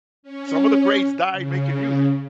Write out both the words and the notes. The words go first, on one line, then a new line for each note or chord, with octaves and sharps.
some of the greats died making music,
C#4
C#3